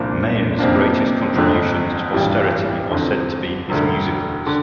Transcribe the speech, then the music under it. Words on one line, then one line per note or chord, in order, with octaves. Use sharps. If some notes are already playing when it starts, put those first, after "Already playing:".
Mayer's greatest contributions to posterity are said to be his musicals.
Already playing: C2 A#2 F3 A#3 D4
F2 C3 F3 A#3 D4
G1 F2 D3
A1 G2 E3 G3
E2 D3 F3 C4
E1 D2 D3
D3